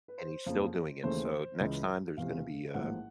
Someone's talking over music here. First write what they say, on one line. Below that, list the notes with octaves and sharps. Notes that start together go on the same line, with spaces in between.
And he's still doing it, so next time, there's gonna be a
B4
C5
F2 C#3 F3 A#3
D#2 C#3 E3 A3 C5
C#2 C#3 E3 D#5
E1 E2 C3 F5
A1 G#2 F3 A#3 F#5